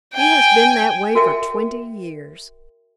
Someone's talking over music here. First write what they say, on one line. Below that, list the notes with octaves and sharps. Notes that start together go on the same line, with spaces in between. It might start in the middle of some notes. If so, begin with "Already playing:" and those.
He has been that way for twenty years.
G5 G#5
F#4 A#4 E5 G5